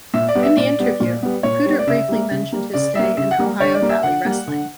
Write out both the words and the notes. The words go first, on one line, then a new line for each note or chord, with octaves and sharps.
In the interview, Puder briefly mentioned his stay in Ohio Valley Wrestling.
A#2 E5
D5
G3 B3
E5
A#2 D5
G3 B3
A#2
G3 B3
A#2 C#5
G3 B3
D5
C#3 E5
G3 A#3
C#3
G3 A#3
C#3 D5
G3 A#3 E5
C#3 E5
F#5
G3 A#3
D3 C#5
D5
G3 A#3
E5
D3 F#5
G3 A#3
D3